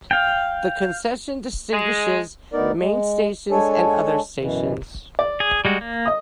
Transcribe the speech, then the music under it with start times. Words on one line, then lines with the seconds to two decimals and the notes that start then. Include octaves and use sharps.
The concession distinguishes main stations and other stations.
0.11 F5 G5
1.72 G#3
2.53 D2 B3 D#4 A#4 D5
2.80 G#3
3.51 G#3 D4 A4 C#5 G#5
4.40 F#2 B2 E3
5.19 D5
5.40 G#4
5.65 G3 G#3 F#4
5.81 A#3
6.06 D#5 D#6